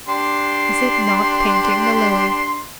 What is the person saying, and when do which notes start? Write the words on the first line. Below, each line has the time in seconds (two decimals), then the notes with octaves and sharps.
Is it not painting the lily?
0.08 D4 G4 C6